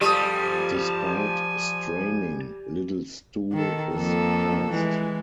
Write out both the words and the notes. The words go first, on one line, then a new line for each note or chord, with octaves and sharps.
Despite straining, little stool is passed.
F3 G3 G4 A4 G#5 A5 D#6
D#3 A4
F2 A#3 A4
E3 G#3